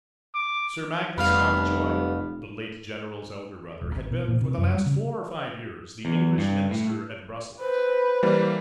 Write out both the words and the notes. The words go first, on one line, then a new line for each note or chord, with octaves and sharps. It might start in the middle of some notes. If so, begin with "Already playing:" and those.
Sir Magnus Mountjoy, the late general's elder brother, had been for the last four or five years the English minister at Brussels.
D6
F1 F2 G3 B3 F5 B5 F6
D#1
G#1
B2
A#2
C3
F#2
G3
C#3
E2
G2
A2
B4 C5
E3 G3 A#3